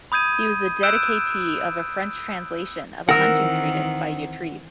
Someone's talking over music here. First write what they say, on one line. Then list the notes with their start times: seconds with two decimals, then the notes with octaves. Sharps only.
He was the dedicatee of a French translation of a hunting treatise by Yatrib.
0.12 B5 D#6 G6 G#6 D#7
0.83 E6 F#6 G6 D7 E7
3.09 D#3 E3 C4 A#4 F#5 E6